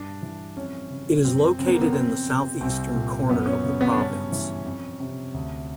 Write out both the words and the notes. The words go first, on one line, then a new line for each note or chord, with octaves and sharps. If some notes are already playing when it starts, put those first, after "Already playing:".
It is located in the southeastern corner of the province.
Already playing: G2 D4
E3
F2 C#4
C#3
F#2 C4
C#3 C4
B3
A#3
B3
F2 C4
C3
C2 C4
A#2
F#2 B3
C#4
C#3
B3
D4
G2 C#4
E3
F2
C3
D2